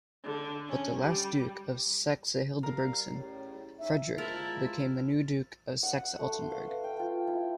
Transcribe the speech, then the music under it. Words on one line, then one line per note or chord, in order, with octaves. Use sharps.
But the last Duke of Saxe-Hildburghausen, Frederick, became the new Duke of Saxe-Altenburg.
D3
C#4
G3
G3 A#4 F5
A2 C#3 G3
C#4 D#4 E5
G#3 E4 F4 A#4 C5 A5
F#5
A3
C6
F5
B4
G5
F4
E4